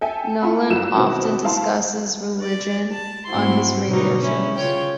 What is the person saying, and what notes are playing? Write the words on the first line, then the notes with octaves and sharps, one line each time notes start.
Nolan often discusses religion on his radio shows.
A4 E5 G5 G#5
E4 F4 A4 F#5 B5
G1 F#3 E4 E6 E7
B2 D#3 C4 E4 F#4
E4 F5 A5 C6
D5
A5
G#2 A3 C4 E4 F#4 C6
B2 D3 F#3 G3 D#4
C#4 E4
C#3 F4 C#5 G5